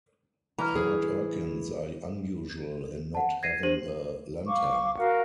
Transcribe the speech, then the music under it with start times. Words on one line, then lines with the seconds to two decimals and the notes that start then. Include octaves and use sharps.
Heart urchins are unusual in not having a lantern.
0.58 E3 A#5 F6
0.75 G#4
3.15 F#5 A5
3.43 G#6 A#6 C7 D#7
3.63 D4 G4 C5 D#7 F#7
4.47 F5 C#6 D6
4.97 F#4 A#4 F5 F#5